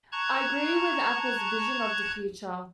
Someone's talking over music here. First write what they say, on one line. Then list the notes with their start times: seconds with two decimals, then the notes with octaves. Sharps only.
I agree with Apple's vision of the future.
0.12 A5 A#5 C#6 F#6 G#6